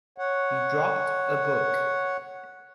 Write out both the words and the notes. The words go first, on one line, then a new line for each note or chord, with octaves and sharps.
He dropped a book.
C#5 F#5